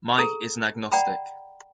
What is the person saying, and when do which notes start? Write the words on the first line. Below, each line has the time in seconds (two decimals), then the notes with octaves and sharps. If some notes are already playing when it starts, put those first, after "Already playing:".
Mike is an agnostic.
0.18 G#4 A4 A#5
0.92 D5 F#5 G5 A#5 B5